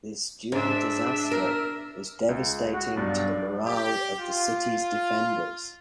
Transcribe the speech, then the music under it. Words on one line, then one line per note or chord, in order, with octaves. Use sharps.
This dual disaster was devastating to the morale of the city's defenders.
G#2 D4 E5
A#4
C#2
F#4
B1 G2 D5
G4
F4